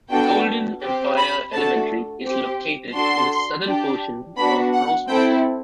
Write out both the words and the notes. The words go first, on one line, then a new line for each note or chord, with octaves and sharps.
Golden Empire Elementary is located in the southern portion of Rosemont.
B3 D4 F#4 A4 G5
C4 G4
B5
A3 D4 F#4 A4 A5
C4 G4
D4 F#4 A4 C6
D4 G4
B3 D4 F#4 B5
F#5
C4 E4 A4 G5